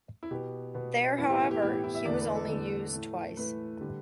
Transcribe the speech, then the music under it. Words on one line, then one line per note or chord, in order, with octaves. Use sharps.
There however, he was only used twice.
E4
B2 B3 G4
B2 B3
A2 E3 B3 E4
G4
E4
G4
A2 E3 B3 E4
G4
E4
E5
E2 D3 A3 D5
B4
A4
E2 D3 A3 A4
A2 E3 A3
A2 E3 A3 B4
D3 G3